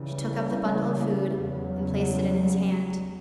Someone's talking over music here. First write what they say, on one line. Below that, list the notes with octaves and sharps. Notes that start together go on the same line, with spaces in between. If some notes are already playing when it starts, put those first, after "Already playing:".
She took up the bundle of food and placed it in his hand.
Already playing: C#3 E3 G3
E2 C#3 F#3